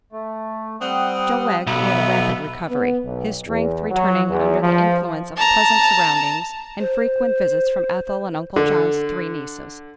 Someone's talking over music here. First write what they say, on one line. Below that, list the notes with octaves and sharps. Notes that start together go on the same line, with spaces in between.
Joe Wegg made a rapid recovery, his strength returning under the influence of pleasant surroundings and frequent visits from Ethel and Uncle John's three nieces.
A3
G3 C4 F#5 D#6
B1 B3 E5
B3
B1
E2
F#3
E2
F3
A5 A#5
C5
D3